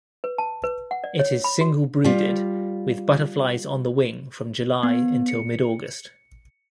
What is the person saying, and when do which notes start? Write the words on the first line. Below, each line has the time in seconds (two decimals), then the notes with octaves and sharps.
It is single brooded, with butterflies on the wing from July until mid-August.
0.24 B4
0.38 A5
0.64 B4
0.91 F#5
1.04 D5
1.19 C#5
1.44 B5
1.61 F#4
2.04 G3 F4
4.83 B3
5.28 C#7